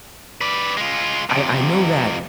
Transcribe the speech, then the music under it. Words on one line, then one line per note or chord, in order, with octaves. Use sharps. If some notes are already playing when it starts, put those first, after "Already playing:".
I I know that,
B4 D5
G#3 F4
F2 C3